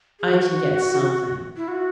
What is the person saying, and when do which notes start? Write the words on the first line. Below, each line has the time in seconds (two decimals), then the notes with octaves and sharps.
"I can get something."
0.20 G#4
0.29 F#4
1.57 E4
1.68 F#4